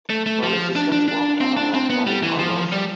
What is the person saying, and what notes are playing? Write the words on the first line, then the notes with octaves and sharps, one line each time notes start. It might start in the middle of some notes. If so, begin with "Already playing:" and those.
Early systems locked and unlocked only the car doors.
A3
A3
F3
D4
D4
D4
C4
D4
C4
B3
G3
E3
F3
G3